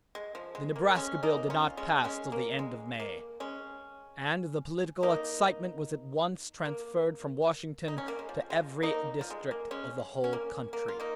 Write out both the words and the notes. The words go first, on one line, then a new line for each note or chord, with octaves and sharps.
The Nebraska bill did not pass till the end of May, and the political excitement was at once transferred from Washington to every district of the whole country.
G#3
F3
G#3
A#3
G#3 C#4
A#3 D#4
C#4 F4
G#3 C#4
G#3 C#4
A#3
G#3
A#3
G#3 C#4
A#3 D#4
A#3
D#4
C#4
A#3
G#3
F3
G#3
F3
A#3 D#4
F3
G#3
A#3
G#3 C#4
C#4
A#3
A#3
F4
A#3 D#4